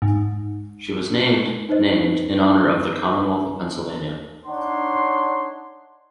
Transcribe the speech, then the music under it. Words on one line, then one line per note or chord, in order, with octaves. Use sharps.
She was named named in honour of the Commonwealth of Pennsylvania.
G#2
D#4 B4 C5 D#5
D4 D#4 C#5 F#5 C6